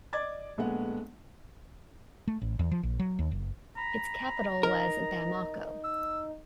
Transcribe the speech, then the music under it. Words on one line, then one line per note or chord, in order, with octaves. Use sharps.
Its capital was Bamako.
D5 D#5 D6 G#6 A6
A#1 G#3 A3 B3 F#5
A3
A1
E2
F3
A#1
F#3
D#2
F#1
A#5 B5
D#4 A#4
E6